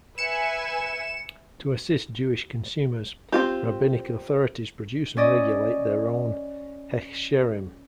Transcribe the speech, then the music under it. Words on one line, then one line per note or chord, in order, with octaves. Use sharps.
To assist Jewish consumers, rabbinic authorities produce and regulate their own "hechsherim".
B4 E5 G#5 C#7 E7
C4 F4 G4
C#4 D5 D#5